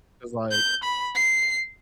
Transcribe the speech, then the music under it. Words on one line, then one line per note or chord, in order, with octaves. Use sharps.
'cause like
G6
B5
C7